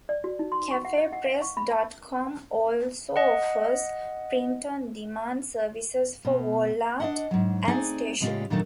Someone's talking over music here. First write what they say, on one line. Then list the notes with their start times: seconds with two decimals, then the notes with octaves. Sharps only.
CafePress dot com also offers print on demand services for wall art and stationery.
0.09 D5
0.24 F#4
0.39 D#4
0.52 C6
0.71 C#6
0.85 F#5
0.98 D#5
1.13 F#5
1.26 F5
1.42 C#6
1.57 B5
1.71 A5
3.16 D#5 F#5
6.25 B2
7.00 D4 D#5 F#5
7.31 G#2 F#3
7.68 A3 C4 D#4 G#4 D5 G#5
8.20 A2 C#3 G#3 C#4 F4 G4
8.50 D#2 A#2 D#3 F#3 A3 D4